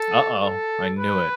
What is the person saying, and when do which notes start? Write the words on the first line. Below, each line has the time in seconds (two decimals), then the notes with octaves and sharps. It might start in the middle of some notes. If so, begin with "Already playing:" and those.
Uh-oh, I knew it.
Already playing: A4
0.41 A4
0.99 B4